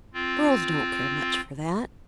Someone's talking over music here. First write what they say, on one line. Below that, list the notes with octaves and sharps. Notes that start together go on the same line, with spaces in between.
"Girls don't care much for that."
C4 F4